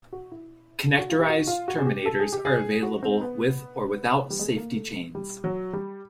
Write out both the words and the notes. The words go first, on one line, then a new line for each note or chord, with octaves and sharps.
Connectorized terminators are available with or without safety chains.
F#4
E4
F#4
F4
G4
F#4
F4
F#4
G#4
G4
A4
G#4
G4
G#4
F#4
C4
B3
G3
G#3
A3
A#3
A3
G3
F#3
G3